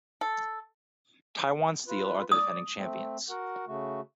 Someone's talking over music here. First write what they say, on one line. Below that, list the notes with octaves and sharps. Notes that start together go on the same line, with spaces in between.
Taiwan Steel are the defending champions.
A4
F4 B4
D5 D#6
A3 C4
F#4 A#4 F#5
C#3 A3 F#4